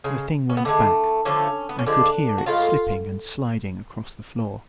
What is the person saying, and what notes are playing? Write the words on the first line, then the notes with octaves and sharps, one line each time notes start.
The thing went back,--I could hear it slipping and sliding across the floor.
C#3 G#3
C#4
B3
D3 F3 G#3 A3
D3 F3 A3 C#4
B3
C#4
D3 F3 G#3 D4
F#4
A2 G#3 F4